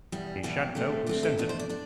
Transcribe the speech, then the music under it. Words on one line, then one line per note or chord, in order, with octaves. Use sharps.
'He shan't know who sends it.
E2 B2 G3
E2 B2 G3 G4
D3 A3 C4
D3 A3 C4 G4
A4
E2 B2 A3 D4 B4
C5
D5
D4 D5